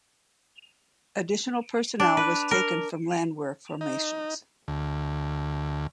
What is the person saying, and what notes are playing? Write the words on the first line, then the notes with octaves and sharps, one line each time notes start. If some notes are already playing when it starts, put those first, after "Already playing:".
Additional personnel was taken from "Landwehr" formations.
D4
B4
A#4
D#4
D2